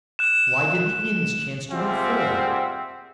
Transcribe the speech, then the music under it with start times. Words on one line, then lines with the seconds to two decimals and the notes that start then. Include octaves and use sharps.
Why did the inns chance to be full?
0.19 F#6 E7
1.70 G3 C4 F4 G#4 E5 F#5